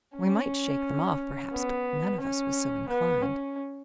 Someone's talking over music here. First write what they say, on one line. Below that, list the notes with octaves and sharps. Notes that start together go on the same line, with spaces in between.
We might shake them off, perhaps, but none of us was so inclined.
C#4
B3
C#4
B3
C#4